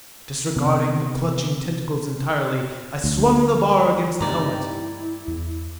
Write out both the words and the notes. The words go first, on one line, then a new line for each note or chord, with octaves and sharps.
Disregarding the clutching tentacles entirely, I swung the bar against the helmet.
C3 B3
D2
G2 A3 C4 D#4 G4 D5 A#5
E4
E2